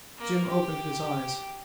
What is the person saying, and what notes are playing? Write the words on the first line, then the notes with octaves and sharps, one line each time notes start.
Jim opened his eyes.
A#3
G4